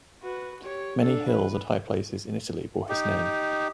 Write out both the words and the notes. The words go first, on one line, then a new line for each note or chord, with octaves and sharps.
Many hills and high places in Italy bore his name.
F#4 B4
G4 C#5
D4 A4
B4
D#4 G4